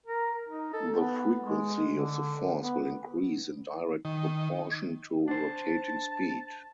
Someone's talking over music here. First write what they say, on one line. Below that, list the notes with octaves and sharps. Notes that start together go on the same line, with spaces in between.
The frequency of the force will increase in direct proportion to rotating speed.
A#4
D#4
A4
B3
G#3
D3
B3
D#3
D4 C5 A5